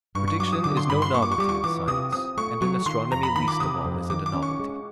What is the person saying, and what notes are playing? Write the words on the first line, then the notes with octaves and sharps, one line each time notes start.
Prediction is no novelty in science; and in astronomy least of all is it a novelty.
G2 C#6
C#6
F#3 D6
D#6
D3 D6
C6
G2 B5
C6
A#3 C#6
D6
C#6
G3 D6
C#6
E3 D6
C3 D#6
C4 D#6
A3 C#6
F#3 C#6
D#3 C6
F2 A#5
B5
D#3 B5
D6
C3 D#6
F2
D#3 D6
D6
C#4
C#6
G#3